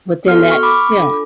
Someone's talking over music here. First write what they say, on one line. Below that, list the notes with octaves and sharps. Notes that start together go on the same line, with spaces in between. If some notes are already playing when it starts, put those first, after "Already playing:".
within that Yeah,
B3 F#4 A4 F6
C#6 F6
B5 D6
D4 F4 A4